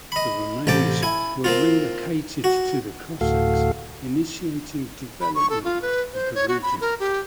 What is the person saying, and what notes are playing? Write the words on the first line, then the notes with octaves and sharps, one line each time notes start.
The remains were relocated to the Cossacks, initiating development of the region.
D#5 B5
A1 C3 G5 A5 D6
E4 G#5
A#3 C4 F4
F#4
D2 A2 F#4 A4 F5
B5
C#6
A4
F4
B4
C5
C#5
F#4
B5
A#4
G4